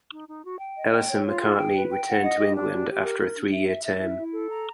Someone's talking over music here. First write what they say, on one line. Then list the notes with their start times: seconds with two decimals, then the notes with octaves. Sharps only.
Ellison-Macartney returned to England after a three-year term.
0.12 D#4
0.29 D#4
0.44 F#4
0.60 G5
0.77 D#5
0.93 G5
1.09 C#5
1.26 F4
1.42 G#4
1.57 G5
1.73 B4
1.90 G5
2.07 F#5
2.23 D#5
2.38 G4
2.55 D4
2.72 G4
2.87 G4
3.03 A#4
3.20 A#4
3.35 D4
3.53 E5
3.68 E5
3.85 E5
4.00 E4
4.17 E4
4.33 A4
4.49 A#5